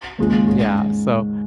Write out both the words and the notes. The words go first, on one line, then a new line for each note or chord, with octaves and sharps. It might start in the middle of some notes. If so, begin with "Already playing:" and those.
Yeah. So,
D#2 C#3 G#3 F4
G#2 G#3 C#4